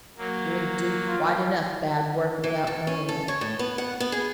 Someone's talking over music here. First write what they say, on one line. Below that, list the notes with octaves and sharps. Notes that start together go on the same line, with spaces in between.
You'll do quite enough bad work without knowing it.
F#3 A#3
F4
E3
A4
C#4
A4
C#5
A2
B3
F#5
B3
G#4